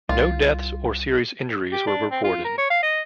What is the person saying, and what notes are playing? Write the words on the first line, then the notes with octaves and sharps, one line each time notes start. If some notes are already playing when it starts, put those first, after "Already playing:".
No deaths or serious injuries were reported.
C2 F4
G4
D4
C4
F4
A#4
C#5
F5
D#5